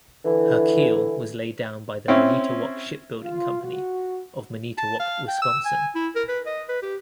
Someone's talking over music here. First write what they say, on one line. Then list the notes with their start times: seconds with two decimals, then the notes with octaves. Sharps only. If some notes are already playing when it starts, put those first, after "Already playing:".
Her keel was laid down by the Manitowoc Shipbuilding Company of Manitowoc, Wisconsin.
0.25 D3 E3
2.08 C4 C#4 E4
3.24 F4
3.63 F#4
4.78 A5
4.99 F5
5.28 G5
5.42 E6
5.65 G#5
5.95 E4
6.15 A#4
6.28 B4
6.46 D#5
6.69 B4
6.82 G4